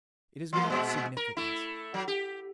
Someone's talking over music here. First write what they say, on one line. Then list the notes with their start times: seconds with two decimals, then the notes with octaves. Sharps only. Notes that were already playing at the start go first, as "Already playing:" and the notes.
It is without significance!
0.53 E3 A#3
0.70 A#2 G#3
1.17 A#4
1.37 A3 E4
1.94 F#3
2.08 G4